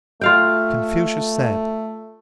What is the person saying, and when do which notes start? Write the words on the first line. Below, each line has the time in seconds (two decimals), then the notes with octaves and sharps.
Confucius said.
0.21 A3 F4 F5 G5